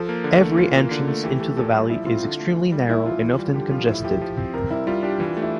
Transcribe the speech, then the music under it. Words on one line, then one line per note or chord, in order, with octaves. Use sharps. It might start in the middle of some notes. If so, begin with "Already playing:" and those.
Every entrance into the valley is extremely narrow and often congested.
Already playing: F3 A4
A#3
D3
A3
E3 F4
A#3
D3
A3
E3 G4
A3 A4
A#2 A4
G3
F3 E4
C4 F4
D3
A3
E3
G3
A#2 E4
F3 F4
E3
G3
D3 G4
F3 F4
A2 E4
F3 G4
F3
C4
C3 A#4
G3 E4
G3 F4
D4 G4
E3 F4
G4
A3
E4